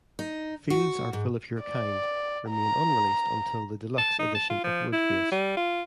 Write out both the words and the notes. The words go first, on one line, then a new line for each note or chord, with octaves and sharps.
"Fields are Full of Your Kind" remained unreleased until the deluxe edition of "Woodface".
D#4
F#4
G#2
D5
A#5
A5
D#4
A5
F4
F3
E4
G3
F4